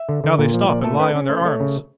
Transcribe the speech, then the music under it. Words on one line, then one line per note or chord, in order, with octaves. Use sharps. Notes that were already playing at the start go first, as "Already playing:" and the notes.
Now they stop and lie on their arms.
Already playing: E5
D3
D3
A#2
F3
A#2 D5
A3 A4
C#4 B4
C#4
A3 C5
A3 C#5
C#3